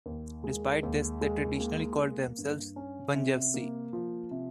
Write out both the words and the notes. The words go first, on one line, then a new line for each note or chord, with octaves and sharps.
Despite this, they traditionally called themselves "Bunjevci".
D#2
G#3
D#2
G#3
A#3
A#3
G2
C#4
C3
A#3
F3
C3